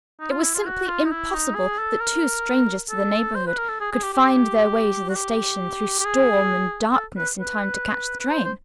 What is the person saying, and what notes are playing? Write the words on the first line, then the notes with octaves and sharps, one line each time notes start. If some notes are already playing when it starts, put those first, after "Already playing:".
It was simply impossible that two strangers to the neighborhood could find their way to the station, through storm and darkness, in time to catch the train.
D#4
F4
E4
F4
F#4
F4
D#4
E4
D#4
G#4
A4
A#4
A4
C5
B4
A#4
A4
G#4
G#4
G4
G4
F#4
G4
G4
G#4
A4
B4
B4
B4
C5
C5